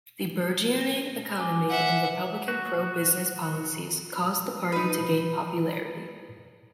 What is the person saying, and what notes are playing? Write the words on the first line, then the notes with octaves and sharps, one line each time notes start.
The burgeoning economy and Republican pro-business policies caused the party to gain popularity.
G#5 D6 G7
E5 F#5
F#4
D#4 B4